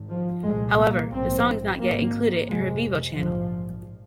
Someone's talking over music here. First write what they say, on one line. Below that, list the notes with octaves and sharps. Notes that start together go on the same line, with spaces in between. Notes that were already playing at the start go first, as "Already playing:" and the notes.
However, the song is not yet included in her Vevo channel.
Already playing: G#1 G#2
F3
C2 A#2 G#3
A#3
A#1 G#2 C4
G#1 G#2 A#3
F1 F2 C3 G#3
A#1 G#2 F3